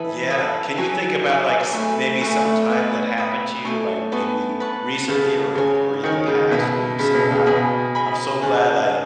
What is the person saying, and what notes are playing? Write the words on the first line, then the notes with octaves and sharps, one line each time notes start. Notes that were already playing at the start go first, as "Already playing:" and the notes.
Yeah. Can you think about, like, s maybe some time that happened to you, like, maybe recently or or in the past where you said, "Wow, I'm so glad I
Already playing: E3 A4 E5 B5 D#6
A4 E5 B5 D#6
F#3 G#4 C#5 E5 G#5
G#4 C#5 E5 G#5
A3 G#4 B4 E5 G#5
A3 G#4 B4 E5 G#5
A3
B3 B4 E5 B5 D#6
B4 E5 B5 D#6
A3 A4 D#5 G#5 C#6
B3 A4 D#5 G#5 C#6
B4 F#5 A5 C#6
C#3 B4 F#5 A5 C#6
C#3 F#4 C#5 G#5
D#3 F#4 C#5 G#5
C#3
B2 A4 E5 B5
C#3 A4 E5 B5
B2
C#3
B2 G#4 D#5 G#5 B5
G#4 D#5 G#5 B5
C#3 G#4 C#5 F#5 A5